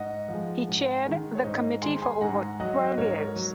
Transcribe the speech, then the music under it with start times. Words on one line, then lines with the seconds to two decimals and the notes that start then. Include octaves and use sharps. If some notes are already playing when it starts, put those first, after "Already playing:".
He chaired the committee for over twelve years.
Already playing: G#2 D#5 F#5
0.28 F3
0.34 G#3
0.68 G#2
1.06 D#3 G#3
1.35 C#5
1.44 G#2 C5 D#5
1.82 D#3 G#3 G#5 C6
2.02 G#5 C6
2.21 G#2 F#5 A#5
2.60 F#3 D#5 F#5
2.97 G#2 A#4 C#5
3.36 F#3